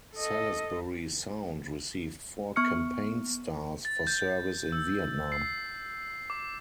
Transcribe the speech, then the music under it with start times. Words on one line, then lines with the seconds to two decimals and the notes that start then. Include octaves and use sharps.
"Salisbury Sound" received four campaign stars for service in Vietnam.
0.15 A4 D#5
2.56 B3 C#6 F6 C#7
3.85 A6
4.07 G6
4.72 E6
5.32 C7
6.30 D6